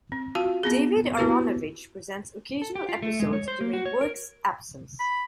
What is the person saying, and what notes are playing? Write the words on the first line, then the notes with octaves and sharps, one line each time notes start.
David Aaronovitch presents occasional episodes during Buerk's absence.
C4
F4 F#4 F5 A5
B3 C4 G#4
B3 E4 F#4 G4 B4
A4
G4
F4
A3
G#3
C#5
C5
A#3
F#4
C#5
A#4
B5